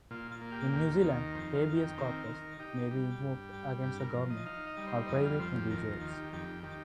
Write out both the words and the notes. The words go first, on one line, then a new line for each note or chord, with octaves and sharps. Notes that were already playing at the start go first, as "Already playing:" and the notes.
In New Zealand, "habeas corpus" may be invoked against the government or private individuals.
A#2 F4
F4
A#3
G4
D#2 G4
F4
D#3
A#4
F2 C5
F5
D#3
G5
C4 A#4
D#3
D#4 G4
G3
G2
G3
G2 G4
A#4
F3
D#5
D#4 F5
D#5
G3
C5
F2 D#5
F5
F3 C5
G4
D#2 A#4
F4
D#3
G4
F2 G4
D#3 G4